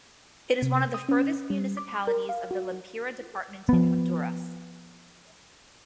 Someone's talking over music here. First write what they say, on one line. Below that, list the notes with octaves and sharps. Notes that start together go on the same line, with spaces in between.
It is one of the furthest municipalities of the Lempira department in Honduras.
C3
D#6
C#4
G3
D6
A#4
F5
F#4
F3 B3